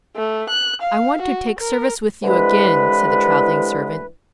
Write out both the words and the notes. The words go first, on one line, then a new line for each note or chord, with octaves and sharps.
"I want to take service with you again," said the travelling servant.
A3
F#6
F5
F#4
A#4
C2 D3 E3 G#3 B4